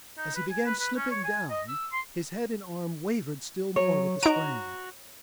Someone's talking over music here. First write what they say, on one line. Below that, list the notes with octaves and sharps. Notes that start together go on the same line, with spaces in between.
As he began slipping down, his head and arm wavered still more with the strain.
D#4
B4
G#5
B4
B4
C#4
C#5
G#5
D#5
E6
C6
F#3 C#5
D#4 F#4 A#5 D7